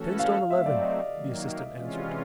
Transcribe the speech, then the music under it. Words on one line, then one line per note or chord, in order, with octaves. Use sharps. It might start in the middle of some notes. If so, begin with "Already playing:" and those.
"Ten stone eleven," the assistant answered.
Already playing: E3 A3 C#4 F#4 A4
F5
F#3 A3 C4 E5
D5
D#5
D#3 F#3 A#3
C3 E3 G#3 C#4 F4